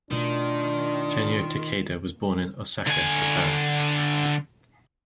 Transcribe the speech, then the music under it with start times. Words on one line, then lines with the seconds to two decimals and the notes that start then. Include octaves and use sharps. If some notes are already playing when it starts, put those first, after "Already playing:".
Genyo Takeda was born in Osaka, Japan.
0.11 B2 D#3 A3 D4 F4
2.87 D3 G#5